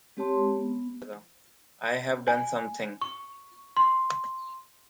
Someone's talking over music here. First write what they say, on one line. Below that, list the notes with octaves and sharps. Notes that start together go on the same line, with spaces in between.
I have done something...
G#3 C4 G4 C#5 A5 C6
B3
G#5
C#6
C6